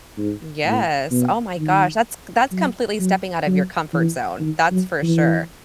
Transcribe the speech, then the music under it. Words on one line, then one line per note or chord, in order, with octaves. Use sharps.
Yes. Oh my gosh. That's that's completely stepping out of your comfort zone. That's for sure.
G#2
A2
B2
D#3
F#3
F#3
F#3
E3
D#3
F#3
E3